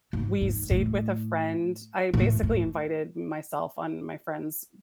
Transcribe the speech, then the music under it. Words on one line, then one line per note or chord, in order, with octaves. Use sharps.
We stayed with a friend. I basically invited myself on my friend's
G#2
G#2
A2
A2
A2